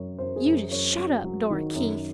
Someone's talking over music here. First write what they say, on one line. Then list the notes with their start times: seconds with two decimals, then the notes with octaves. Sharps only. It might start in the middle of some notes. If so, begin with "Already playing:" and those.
"You just shut up, Dora Keith."
Already playing: F#2 F#3 C#5
0.19 F#2 C5
0.36 G#4
0.46 F#2
0.71 F#2 C#5
0.98 F#3
1.24 F#3
1.50 D#3
1.75 F#2